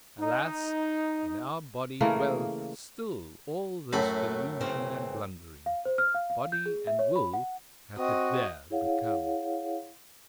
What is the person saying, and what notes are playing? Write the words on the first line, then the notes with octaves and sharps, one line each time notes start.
Alas! in our body dwelleth still all this delusion and blundering: body and will hath it there become.
D#4
C#3 E3 A3 A#3
F#2 A2 A3 F#4 B5
C#3 E3 C4
F5
C5
F6
F5
F5
G6
G#4
E5
C#5
B5
F#5
C4 F#4 D#5
E4 G#4 C#5 F5 F#5